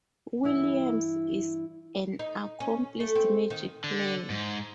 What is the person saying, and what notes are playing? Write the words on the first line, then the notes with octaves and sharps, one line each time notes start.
Williams is an accomplished "Magic" player.
G2 E3 E4 F#5
D#4
C#4
A3
C4
D#3
D3
G#2